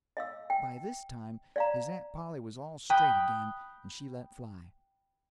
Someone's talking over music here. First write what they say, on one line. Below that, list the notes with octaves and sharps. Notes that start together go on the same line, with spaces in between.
By this time his aunt Polly was all straight again, and she let fly.
D#5 F5 E6
G5
D5 F5 A#5
G5 B5 D#6 F#6 G6